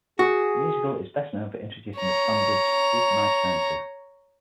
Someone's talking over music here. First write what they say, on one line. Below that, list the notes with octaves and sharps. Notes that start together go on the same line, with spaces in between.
The musical is best known for introducing the standards Who Can I Turn To?
F#4 G#4
C#5 A#5